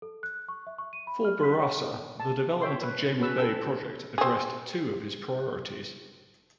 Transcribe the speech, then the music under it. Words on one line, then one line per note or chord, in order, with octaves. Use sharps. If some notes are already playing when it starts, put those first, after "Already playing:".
For Bourassa the development of James Bay project addressed two of his priorities.
A4
F#6
C#6
E5
C#6
D#7
B5
F6
B6
C#5
A5
C#5 E5 G5 C6
B4
C#4 F#4 B4 E6
A4 B4 G5 A5 E6
C4 G#4